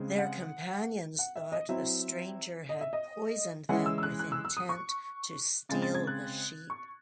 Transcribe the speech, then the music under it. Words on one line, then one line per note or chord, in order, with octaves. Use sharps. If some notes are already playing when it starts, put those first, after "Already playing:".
Their companions thought the stranger had poisoned them with intent to steal the sheep.
Already playing: C#3 G#3 C4
F#5
F#5
E5
D#5
F#3 C4 E4 E5
D#5
E5
D#5
E3 G#3 C#4 E4 F#5
E6
E6
F#6
F#6
E6
E6
D#6
C#6
C#3 G#3 C4 A6
A6
G#6
F#6
C#6